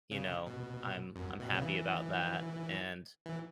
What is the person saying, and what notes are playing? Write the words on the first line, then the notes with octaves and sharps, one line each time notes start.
you know, I'm I'm happy about that, and
C#3
B2
F#2
B2
C#3
E3
E3